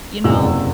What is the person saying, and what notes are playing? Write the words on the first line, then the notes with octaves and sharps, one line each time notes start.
you know,
F#1 E2 C3 E6